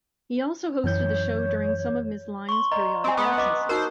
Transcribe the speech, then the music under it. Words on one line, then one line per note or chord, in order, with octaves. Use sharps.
He also hosted the show during some of Ms. Lyons' periodic absences.
F#2 E3 C#5 G6
C6 C#6
D5 D#5 A#5
C4 D#5 G#5
B3 D#6 F#6
D#5 D6
D#4 F#4 A#4 C5